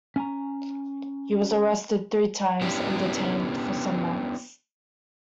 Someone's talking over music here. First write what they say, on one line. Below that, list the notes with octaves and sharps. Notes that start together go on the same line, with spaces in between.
He was arrested three times and detained for some months.
C#4 G#5 A#5
B3 C#4 D4 E4 G4